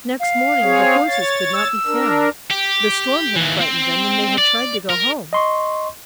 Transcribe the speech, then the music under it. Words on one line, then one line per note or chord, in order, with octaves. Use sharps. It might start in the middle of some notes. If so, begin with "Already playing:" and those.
Next morning the horses could not be found; the storm had frightened them, and they had tried to go home.
F5
C4 G#4 C#5
C#5 A6
E6
D4 A#4
G4
D#2 E3
C4
D5
A#4
D#5 C6 C#6